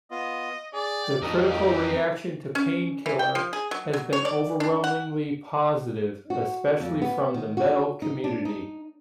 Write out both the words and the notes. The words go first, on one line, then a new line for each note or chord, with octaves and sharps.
The critical reaction to Painkiller has been overwhelmingly positive, especially from the metal community.
B3 F4 D#5
G#4 D5
G5
F2 D#4 A#4 D#5
G4
C#4
E3
G5
F3
G#4
F#3
F#3
C#5
D5
D4
F#5
F#4
F2
B3
D#3
F#4
D#4
D4
D#4